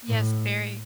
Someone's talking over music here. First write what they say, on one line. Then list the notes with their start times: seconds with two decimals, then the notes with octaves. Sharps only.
Yes, very.
0.09 A2